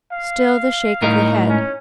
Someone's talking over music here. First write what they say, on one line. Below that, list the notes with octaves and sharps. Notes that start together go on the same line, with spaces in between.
Still the shake of the head.
F5
A2 D#4 A#4
C#4